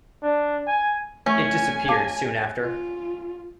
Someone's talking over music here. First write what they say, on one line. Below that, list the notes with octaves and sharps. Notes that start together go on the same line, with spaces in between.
It disappeared soon after.
D4
G#5
A3 C#4 G#5
F5 A5 D6
F4